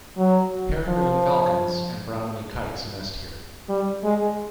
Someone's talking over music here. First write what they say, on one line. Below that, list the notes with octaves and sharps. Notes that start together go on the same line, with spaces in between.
Peregrine falcons and brahminy kites nest here.
F#3
F3
G3
G#3